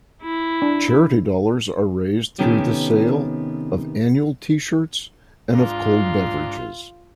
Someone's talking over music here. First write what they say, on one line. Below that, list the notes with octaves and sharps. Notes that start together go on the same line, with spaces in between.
Charity dollars are raised through the sale of annual tee-shirts, and of cold beverages.
E4
D4
C3 D#3 B3 C#4 G4 A4
G#2 D4 F4 A#5